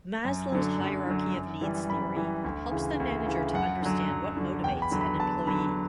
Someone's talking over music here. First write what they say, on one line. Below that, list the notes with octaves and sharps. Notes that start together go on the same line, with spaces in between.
Maslow's hierarchy of needs theory helps the manager to understand what motivates an employee.
F#2
D3 F#3
F#2
D3 F#3
F#2
E3 G3
F#2 B5
E3 G3
D2
C#3 E3
D2
C#3 E3
F#2 F#5
D3 F#3
F#2
D3 F#3
E2 G5
B5
D3 F#3
B5
E2 A5
D3 F#3 B5